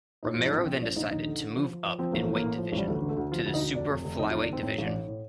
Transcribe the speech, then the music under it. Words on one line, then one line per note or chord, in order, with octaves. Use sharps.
Romero then decided to move up in weight division, to the Super Flyweight division.
A2 D#4
F4
F3
D#4
A#1 C4
F3 C4
A#1 D4
A#1 D#4
D#2 D#4
D3
D3
F3
F3
F3
F3 C4
A1 A#3
A3
A2
A#3
A2
F3
A1
G3
D2 A3
D3
A3
D2
F3 F4
D2
D#4
D2
F1 D4
F1
F1
F1 D#4
F4
D#3
D4
F1 C4
A2 C4
A1
D4
A2
A2